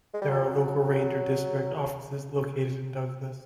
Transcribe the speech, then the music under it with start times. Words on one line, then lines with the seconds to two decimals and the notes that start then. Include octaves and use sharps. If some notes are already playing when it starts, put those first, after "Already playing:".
There are local ranger district offices located in Douglas.
0.14 G#3
0.22 G3
0.30 F#3
0.38 F3
0.46 F#3
0.79 F#3
1.75 F#3